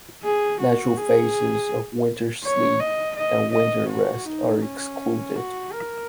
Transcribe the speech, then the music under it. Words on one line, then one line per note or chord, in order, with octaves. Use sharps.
Natural phases of winter sleep and winter rest are excluded.
G#4
F#4
G#4
C#5
D#5
D#5
D#5
F#4
D#4
C#4
F#4
A#4